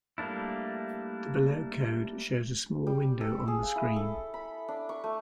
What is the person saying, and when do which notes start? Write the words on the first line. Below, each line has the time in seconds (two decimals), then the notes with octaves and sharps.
The below code shows a small window on the screen.
0.18 G3 A3 A#3 D4 E4
2.87 G3
3.21 A4
3.48 G#4
3.63 F5
3.76 E4
3.96 A4
4.34 B5
4.68 D4
4.89 C#6
5.04 A3